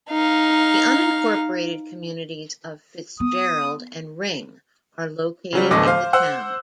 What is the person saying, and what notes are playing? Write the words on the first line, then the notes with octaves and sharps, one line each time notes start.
The unincorporated communities of Fitzgerald and Ring are located in the town.
D#4 F5
B3 D#6
C#3 F#3 G3
D1 E2 A2 D3 D#5 D6
C5 F5
C5 F#5 E6 F#6